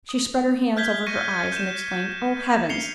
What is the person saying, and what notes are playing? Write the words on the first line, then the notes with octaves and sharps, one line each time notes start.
She spread her hands over her eyes, and exclaimed, "Oh, Heavens!"
D#6
F6 G6 G#6 B6 G7
C#6 A#6 C#7 D#7
G6 E7
C7 C#7 F7 G7